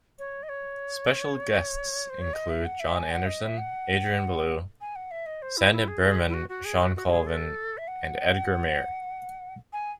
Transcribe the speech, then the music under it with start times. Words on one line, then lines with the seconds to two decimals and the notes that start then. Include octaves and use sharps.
Special guests include Jon Anderson, Adrian Belew, Sandip Burman, Shawn Colvin and Edgar Meyer.
0.19 C#5
0.43 D#5
0.49 C#5
2.09 C5
2.21 C#5
2.33 D#5
2.49 E5
2.65 F#5
2.80 E5
2.95 G#5
3.10 F#5
3.26 D#5
3.41 E5
3.57 F#5
4.81 G#5
4.95 F#5
5.11 E5
5.26 D#5
5.42 C5
5.57 E4
5.72 E4
5.88 G#4
6.04 G#4
6.29 E4
6.33 F#4
6.49 F#4
6.64 G#4
6.80 F#4
6.96 F#4
7.07 F#4
7.11 G#4
7.26 A4
7.77 E5
7.87 F#5
9.73 G#5